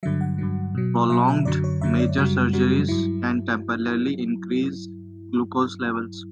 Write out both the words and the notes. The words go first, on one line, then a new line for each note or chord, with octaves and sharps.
Prolonged, major surgeries can temporarily increase glucose levels.
G2 D3 F#3 E5
F#5
G2 D3 F#3
B2 F#3
B2 F#3 E5
E5
F#2 D3 F#3 D5
C#5
F#2 D3 F#3 E5
D5
F#2 C#3 G3 F#4
F#2 C#3 G3 F#4
G2 F#3 E4